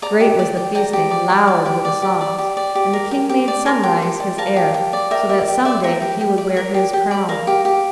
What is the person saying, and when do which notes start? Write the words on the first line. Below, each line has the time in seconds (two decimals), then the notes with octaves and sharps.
Great was the feasting, loud were the songs, and the King made Sunrise his heir, so that some day he would wear his crown.
0.02 D5 A#5 D6
0.20 G4
0.39 D5
0.57 G4
0.75 D5 G5 A#5
0.93 G4
1.11 D5
1.30 G4
1.47 D5
1.65 G4
1.85 D5
2.02 G4
2.21 D5
2.38 G4
2.57 D5
2.75 G4
2.93 A#4
3.11 G4
3.29 G4
3.48 D5
3.66 A#4 A5 C6
3.83 G4
4.02 G4
4.20 D5
4.38 A#4 F5 A5
4.56 G4
4.74 G4
4.93 D5
5.11 A#4 E5 G5
5.29 G4 E5
5.48 G4
5.65 D5 E5
5.83 A#4 E5 G5
6.02 G4
6.21 G4
6.38 D5
6.57 A#4
6.74 G4
6.93 G4
7.11 D5
7.29 A#4 F5
7.47 G4
7.65 G4